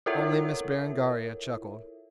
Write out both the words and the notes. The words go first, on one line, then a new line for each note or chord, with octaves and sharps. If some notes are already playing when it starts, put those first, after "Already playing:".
Only Miss Berengaria chuckled.
E4 F4 A4 A#4 C#5 E5